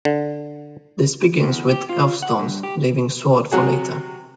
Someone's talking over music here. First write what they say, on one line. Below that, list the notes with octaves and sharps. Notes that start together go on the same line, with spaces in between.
This begins with "Elfstones", leaving "Sword" for later.
D3
E2
G4
F4
F#5
G2
G4
C3 F#3 F#4 G#4